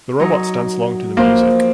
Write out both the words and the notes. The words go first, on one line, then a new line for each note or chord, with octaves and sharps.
The robots dance along to the music.
F#3 D#4
F3 A#3 C5 C6